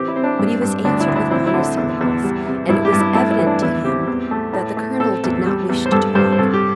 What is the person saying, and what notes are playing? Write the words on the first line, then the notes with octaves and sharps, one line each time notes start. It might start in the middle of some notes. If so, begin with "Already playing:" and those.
But he was answered with monosyllables, and it was evident to him that the colonel did not wish to talk.
Already playing: E3 C4 G4
E4
C4
D4
G2
G2
D2 D4
E4
D2
E4
C4 E4
E4
D3
E4
E2
E2
G3
C3
G2 E4
G4
G2
E4
A3 E4
E4
E3
D4
E2 E4
C4 G4
E2
A3
A2
A3
C4 A4
E2
G3
E2
C5
G2 A4
G2 C5
C5
C2 A4
G4